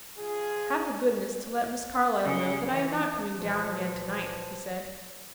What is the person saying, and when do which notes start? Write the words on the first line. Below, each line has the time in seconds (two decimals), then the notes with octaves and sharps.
"Have the goodness to let Miss Carlyle know that I am not coming down again to-night," he said.
0.17 F3 F4 G#4
2.24 C#3
2.69 E3
3.35 A#2 E3 F3